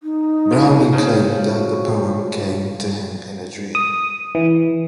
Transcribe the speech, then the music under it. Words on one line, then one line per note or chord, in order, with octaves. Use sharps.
Browning claimed that the poem came to him in a dream.
D#4
F2 G#3
C#3 F3
F#4
D#6
E3